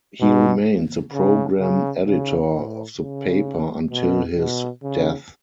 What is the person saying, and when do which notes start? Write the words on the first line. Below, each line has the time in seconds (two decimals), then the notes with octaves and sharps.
He remained the programme editor of the paper until his death.
0.20 B2
1.13 C#3
1.59 C#3
2.05 C#3
2.51 A2
2.98 C#3
3.90 B2
4.37 B2
4.83 C#3